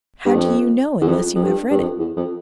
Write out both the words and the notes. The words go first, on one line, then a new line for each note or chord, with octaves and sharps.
"How do you know, unless you have read it?"
G2
F2
E2
F2
F2
G2
G2
F2
E2
F2